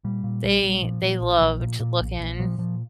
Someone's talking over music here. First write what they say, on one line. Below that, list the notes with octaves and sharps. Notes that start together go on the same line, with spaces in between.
they they loved to looking,
A#2 G3
A#2
A#1 G3
A#1
A#2 F3
A#2
A#1
A#1
A#2
A#2
A#1
A#1
A#2 F3
A#2 F3